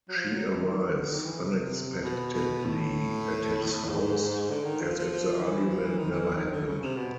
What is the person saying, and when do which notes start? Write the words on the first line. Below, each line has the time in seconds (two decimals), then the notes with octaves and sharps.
She arrives unexpectedly at his house, as if the argument never happened.
0.09 F#3
0.16 F3
0.32 F#3
0.47 G3
0.63 D#3
0.95 D3
1.09 D#3
1.25 E3
1.40 C3
2.03 B2
2.33 B2
2.64 A2
3.88 G#2
4.50 D3
4.65 D#3
4.81 F3
4.96 F3
5.12 F3
5.42 E3
5.74 F3
5.86 E3
5.98 D#3
6.11 E3
6.35 D#3
6.51 D3
6.66 C#3
6.82 C3
6.97 B2